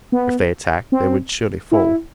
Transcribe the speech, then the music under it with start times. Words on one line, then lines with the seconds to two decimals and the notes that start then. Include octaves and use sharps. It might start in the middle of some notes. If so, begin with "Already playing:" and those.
If they attacked they would surely fall.
0.12 B3
0.92 C4
1.72 E4